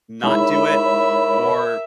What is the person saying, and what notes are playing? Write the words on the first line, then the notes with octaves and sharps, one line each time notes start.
not do it o or
G#3 D#4 E4 A#4 C#5 E5 B5